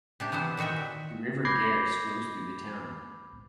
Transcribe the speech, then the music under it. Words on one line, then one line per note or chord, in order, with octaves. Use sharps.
The River Gers flows through the town.
C3 D4 G4
E3 F#3 B3 C5
A#2 D#3 F#4 E5 G5
B5 D6 G6 G#6 A#6 C7